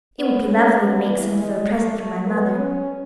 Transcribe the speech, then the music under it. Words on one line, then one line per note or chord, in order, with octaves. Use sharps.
"It would be lovely to make some for a present for my mother."
B3
C#4
B3
E3
G#3
A3
A3
B3
C#4